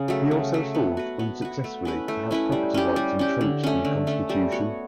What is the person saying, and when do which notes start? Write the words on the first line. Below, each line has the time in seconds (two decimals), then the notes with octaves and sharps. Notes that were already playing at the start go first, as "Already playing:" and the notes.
He also fought, unsuccessfully, to have property rights entrenched in the constitution.
Already playing: C#3
0.08 F#3 A3
0.31 C#3
0.53 F#3 A3
0.74 B3
0.97 F#4 B4
1.19 B3
1.42 F#4 B4
1.64 A3
1.85 C#4 E4 B4
2.08 A3
2.31 C#4 E4 B4
2.52 G3
2.74 C#4 G4
2.96 G3
3.19 C#4 G4
3.41 D3
3.63 A3 C#4
3.85 D3
4.07 A3 C#4
4.29 G3
4.52 B3 F#4 C#5